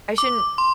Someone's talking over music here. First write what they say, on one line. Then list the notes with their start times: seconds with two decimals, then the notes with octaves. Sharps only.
I shouldn't
0.18 D6
0.58 C6